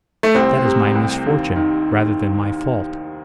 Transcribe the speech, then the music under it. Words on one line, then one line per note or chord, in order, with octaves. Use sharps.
"That is my misfortune, rather than my fault."
A3
C2 C4
C3
C2
D#2
D#3